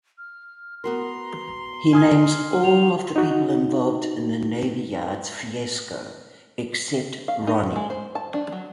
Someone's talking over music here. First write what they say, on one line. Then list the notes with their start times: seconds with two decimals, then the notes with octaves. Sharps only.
He names all of the people involved in the Navy Yards fiasco, except Ronnie.
0.18 F6
0.84 B3 F#4 A#4 A#5 C6
1.93 G#5 D#6 F6 G#6
2.63 F3 F7
3.16 D#4 F#4
7.28 F5
7.47 D#4
7.76 G#3
7.90 C5
8.15 A5
8.34 D4
8.52 F#3